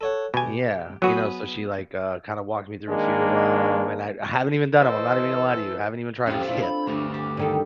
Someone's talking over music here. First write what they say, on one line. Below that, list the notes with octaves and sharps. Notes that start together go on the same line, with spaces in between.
Yeah, you know? So, she, like, uh, kinda walked me through a few of 'em, and I I haven't even done 'em, I'm not even gonna lie to you, I haven't even tried 'em yet.
A4 C#5 F#5
B2 G4 G#5
F#3 B3 F#4 G#4 B4
D#3 G#3 A#3 D4
E3 A4 C5 D#5
F2 C4 C#4 F4 G4
A#2 D4 E4 F4 A4
B5
D2 G2 A3
G4
G2 D#3 A4